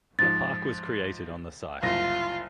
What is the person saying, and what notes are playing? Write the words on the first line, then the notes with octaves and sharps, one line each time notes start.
A park was created on the site.
G#2 F3 A6
F#1 C2 F4 A#6